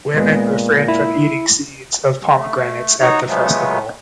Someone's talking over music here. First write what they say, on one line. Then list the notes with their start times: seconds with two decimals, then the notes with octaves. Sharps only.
Women refrained from eating seeds of pomegranates at the festival.
0.17 A#2 G#3 B3
0.88 E4
2.36 A3
3.00 D#4 F#4 C#5 A#5
3.28 C#3 F3 F#3 G#3 A3 B3